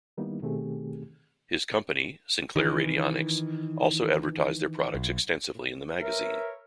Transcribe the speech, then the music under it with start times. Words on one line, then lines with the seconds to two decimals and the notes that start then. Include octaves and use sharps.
His company, Sinclair Radionics, also advertised their products extensively in the magazine.
0.17 D#3 G3 A#3 B3 D#4 E4
0.42 B2 D#3 A3 C4 G4 G#4
2.56 D#3 E3
4.95 B1
6.01 A#4 B4 C#5 E5